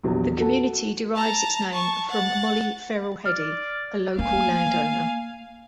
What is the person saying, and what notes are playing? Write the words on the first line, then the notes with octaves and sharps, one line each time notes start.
The community derives its name from Mollie Ferrel Heady, a local land owner.
A#1 E2 F#3 G3
F#4 A4 A5
A5 A#5
A5 C#6
F#5 A6
D5 F6
A3 A#3 F5 G#5